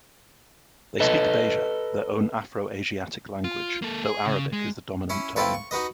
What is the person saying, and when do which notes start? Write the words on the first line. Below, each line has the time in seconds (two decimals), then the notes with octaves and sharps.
They speak Beja, their own Afro-Asiatic language, though Arabic is the dominant tongue.
1.00 A4 B4 D#5
3.44 F4
3.82 A#3 A4
4.05 G#4
4.26 C#3
4.52 G#3
5.10 C#4 E4 C#5
5.36 C4 E4 F4 A4 B4 C#5
5.54 C#6
5.71 D#4 F#4 B4 D#5